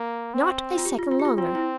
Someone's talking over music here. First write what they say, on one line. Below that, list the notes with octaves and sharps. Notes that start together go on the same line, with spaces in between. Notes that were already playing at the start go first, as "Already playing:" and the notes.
"Not a second longer."
Already playing: A#3
C4
F4
G4
F4
F4
G4
F4
C4 F4
E4